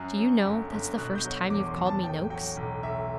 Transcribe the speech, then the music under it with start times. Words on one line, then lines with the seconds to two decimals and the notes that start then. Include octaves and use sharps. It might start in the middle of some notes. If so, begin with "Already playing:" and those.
'Do you know, that's the first time you've called me "Noakes"?'
Already playing: F#2 F#3 F#6
0.19 F#3
0.45 G1
0.72 G1
0.98 B2 F#6
1.15 G6
1.25 F#3
1.50 E2 D6
1.68 C6
1.77 E2
1.86 A5
2.04 A2 G5
2.30 F#3 G5
2.57 B1
2.83 B1 E5